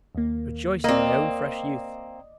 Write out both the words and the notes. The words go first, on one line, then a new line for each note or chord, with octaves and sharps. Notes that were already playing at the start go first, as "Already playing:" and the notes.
"Rejoice in thy own fresh youth!"
D#2 A#3
A#3 C4 D5 D#5